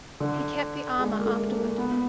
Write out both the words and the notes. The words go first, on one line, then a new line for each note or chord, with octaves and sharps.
He kept the armor afterward.
D3
G#3
A#3
A3
A#3
B3
B3